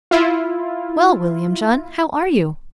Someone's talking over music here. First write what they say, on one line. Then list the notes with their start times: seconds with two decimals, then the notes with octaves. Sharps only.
"Well, William John, how are you?"
0.11 E4 F4